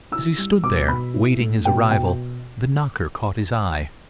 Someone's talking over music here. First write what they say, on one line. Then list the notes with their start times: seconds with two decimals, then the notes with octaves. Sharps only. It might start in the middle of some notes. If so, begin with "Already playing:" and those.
As he stood there, waiting his arrival, the knocker caught his eye.
0.12 E4 E6
0.38 G3
0.63 B2 D6
0.88 B2 B5
1.14 E4
1.40 A3
1.65 B2 G5
1.91 B2 G5